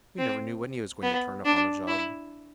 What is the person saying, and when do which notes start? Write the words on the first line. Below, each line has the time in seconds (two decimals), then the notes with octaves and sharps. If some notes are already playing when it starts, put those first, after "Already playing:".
We never knew when he was going to turn up on a job.
0.18 C4
1.03 B3
1.45 D4
1.87 E4